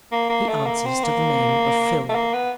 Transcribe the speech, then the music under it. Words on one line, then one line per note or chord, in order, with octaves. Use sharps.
He answers to the name of Phil.
A#3
A#3
A3
A#3
C4
A#3
A3
A#3
B3